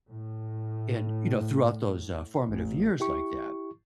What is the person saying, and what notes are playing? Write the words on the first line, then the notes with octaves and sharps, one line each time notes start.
and, you know, throughout those, uh, formative years like that,
A2
A1
E4 G4 C#6